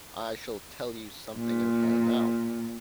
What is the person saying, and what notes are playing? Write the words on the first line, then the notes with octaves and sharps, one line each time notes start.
I shall tell you something of her now.
A#2